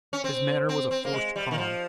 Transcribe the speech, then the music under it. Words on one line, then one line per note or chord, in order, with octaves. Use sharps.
His manner was a forced calm.
C#4
C4
C4
C4
A#3
G#3
G3
D#3
F3